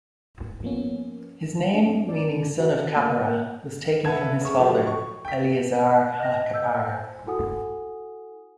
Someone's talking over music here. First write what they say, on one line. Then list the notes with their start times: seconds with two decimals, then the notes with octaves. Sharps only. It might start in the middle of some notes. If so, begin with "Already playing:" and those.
His name, meaning "Son of Kapparah", was taken from his father, Eleazar ha-Kappar.
0.63 F3 A#3 B3 C#4
1.74 D4
1.89 C4
2.09 D5
2.60 F#4
2.96 A#3
3.22 A#3
4.05 B4 E5 F#5 A5 G#6
4.41 C#3 C#6
4.58 D3 F3 F#3 G4
4.87 C#6
5.25 G5 B6
6.20 D#5 A#6
6.52 D#5 E6 G6
6.88 C5 G#5
7.26 E4 F#4 A4 F#5 G#5 D#6